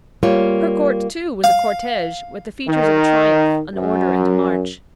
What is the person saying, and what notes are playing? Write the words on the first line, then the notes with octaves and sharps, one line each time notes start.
Her court, too, was a cortege, with the features of a triumph, an order and a march.
G3 A#3 F4 C#5
F5
D#3
F#2